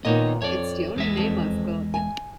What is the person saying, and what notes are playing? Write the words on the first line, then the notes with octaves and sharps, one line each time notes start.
It's the only name I've got.
A#2 D#3 B3 D#4 C#5 D#5
F2 C#5 D5
E2 G#3 E5
F2
G#5